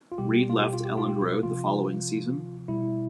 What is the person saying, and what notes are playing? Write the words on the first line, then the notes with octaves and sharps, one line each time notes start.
Reid left Elland Road the following season.
F4
B2 G3 G4
F4
G4
F4
G4
F4
G4
F4
C3 F3 F4
B2 G3 E4